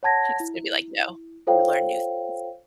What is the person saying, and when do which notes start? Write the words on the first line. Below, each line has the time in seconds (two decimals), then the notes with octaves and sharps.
It's gonna be like, no, you learn new things.
0.03 C#5 F#5 A5 G#6 A#6
0.40 E4
1.47 F4 A4 C5 C#5 F5 G5